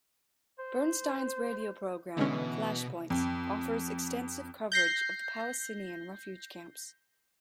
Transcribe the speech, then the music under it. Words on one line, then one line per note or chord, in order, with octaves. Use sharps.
Bernstein's radio program, Flashpoints, offers extensive coverage of the Palestinian refugee camps.
C5
B2 D3 E3 G#3 B3 C#4
F2
G6 A#6 C7